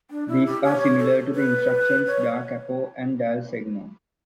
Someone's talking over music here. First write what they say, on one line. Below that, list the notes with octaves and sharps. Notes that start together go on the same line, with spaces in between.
These are similar to the instructions da capo and dal segno.
D4
E4
G4
C#5
A4
B4
C#5